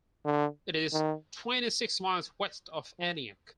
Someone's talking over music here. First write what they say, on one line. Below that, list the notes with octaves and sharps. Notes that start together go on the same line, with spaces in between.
It is twenty-six miles west of Aniak.
D3
D#3
F3